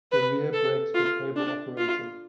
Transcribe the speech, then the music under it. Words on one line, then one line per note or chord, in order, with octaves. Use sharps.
The rear brakes were cable-operated.
B4
A4
F4
D4
F4